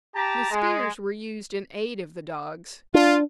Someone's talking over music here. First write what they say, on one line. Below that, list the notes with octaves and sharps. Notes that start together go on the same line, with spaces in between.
The spears were used in aid of the dogs.
G4 A5 A#5
G#3
D4 F4